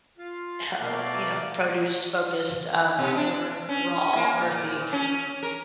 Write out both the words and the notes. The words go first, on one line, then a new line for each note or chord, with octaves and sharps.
h uh you know, produce focused, um, more raw earthy
F4 F5
B2 A3 A#3 D5 F5
B2
D4
C#4
A#3
A#2
C#4
A#4